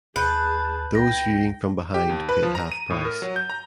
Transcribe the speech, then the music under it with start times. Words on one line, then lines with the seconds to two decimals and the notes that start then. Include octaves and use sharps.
Those viewing from behind paid half price.
0.16 D#2 G#4 B4 A5 F#6 G6
0.95 C#2 G5 A#6
1.94 G4
2.09 D#2
2.29 B4
2.43 F3
2.55 A#5
2.72 D#7
2.90 A2
3.05 A#4
3.22 F#3
3.36 G6
3.50 A#5